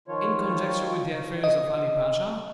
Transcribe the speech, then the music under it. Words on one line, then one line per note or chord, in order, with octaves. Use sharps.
"In conjunction with the affairs of Ali Pasha?"
D#3 F3 F4 C#5
D#5